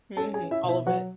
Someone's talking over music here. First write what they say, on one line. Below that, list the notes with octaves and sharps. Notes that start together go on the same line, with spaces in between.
mhm, all of it.
C#4 A4 A5
G#4 G#5
C#4
E4 E5
B2
E4 E5
F#3 F#4 F#5